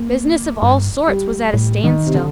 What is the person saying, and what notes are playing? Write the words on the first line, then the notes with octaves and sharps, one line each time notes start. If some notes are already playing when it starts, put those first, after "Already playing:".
Business of all sorts was at a standstill.
Already playing: A#3
G2
G3
A2
D#3
C3
D3